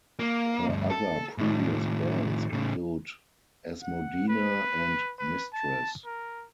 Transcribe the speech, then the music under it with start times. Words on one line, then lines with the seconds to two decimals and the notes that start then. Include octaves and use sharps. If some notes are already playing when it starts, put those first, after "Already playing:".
Her other previous bands include Asmodina and Mistress.
0.19 A#3
0.69 D2 G2
0.90 A4
1.38 A2 D#3
2.53 A2 C#3
3.82 F#5
4.28 B4
5.19 B4
5.53 A5
6.05 A#4